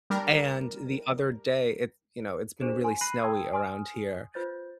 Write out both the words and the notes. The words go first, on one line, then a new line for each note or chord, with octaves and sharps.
and the other day, it you know, it's been really snowy around here.
G3 D4 A#4
D4 G4 G#4 C5 E7
G#5 C6
B5 F#6 A#6 C7 D#7 F#7
G5 A5 C6 D#6 E6 G#6
G#5 C6 D#6 F6
F4 B4 C5 G6 A6